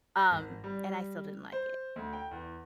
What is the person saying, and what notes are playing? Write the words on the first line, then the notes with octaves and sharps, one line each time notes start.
Um, and I still didn't like it.
A#6
G#1
G3
C5
D2
G5
E2